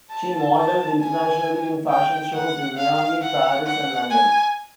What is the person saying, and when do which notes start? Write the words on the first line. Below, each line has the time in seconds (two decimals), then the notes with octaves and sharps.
She modeled internationally in fashion shows in Miami, Paris and London.
0.11 A5
0.56 A5
1.00 G#5
1.89 G5
2.34 F#5
2.77 F5
3.22 F#5
3.66 F#5
4.10 G#5